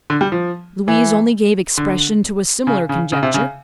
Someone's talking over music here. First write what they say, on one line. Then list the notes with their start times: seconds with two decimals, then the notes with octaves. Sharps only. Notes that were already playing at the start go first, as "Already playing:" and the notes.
Louise only gave expression to a similar conjecture.
0.10 D3
0.21 G3
0.32 F3
0.88 E3
1.78 D3
2.67 C#3
2.89 C#3
3.12 C#3
3.23 C3
3.34 C#3